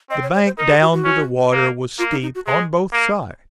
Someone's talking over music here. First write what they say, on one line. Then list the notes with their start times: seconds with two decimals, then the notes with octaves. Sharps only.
The bank down to the water was steep on both sides.
0.10 C4 D#5
0.23 C#5
0.35 C#5
0.46 C5
0.57 D#4 A#4
0.69 G#4
0.81 F#4
0.93 F#4
1.04 C#4
1.52 A#3
1.99 A#3 F4
2.11 D#4
2.22 D#4
2.35 F#4
2.46 G#3 G#4
2.93 A#3